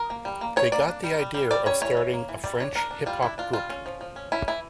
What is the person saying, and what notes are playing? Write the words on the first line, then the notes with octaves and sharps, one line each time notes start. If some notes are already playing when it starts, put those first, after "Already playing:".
They got the idea of starting a French Hip Hop group.
Already playing: A#4
A#3
G3
A#3
E3 C#5
A#3 D5
D4
G3
G3
G3
G3 D5
C#4 C#5
E3 C#5
E3
A#3
E3
G3 D5
D4 C#5
D4 A#4
D4
G3 F4
D4 E4
D4 F4
G3 F4
C#4
F3
F3
C#4
C#4 E4
E3 E4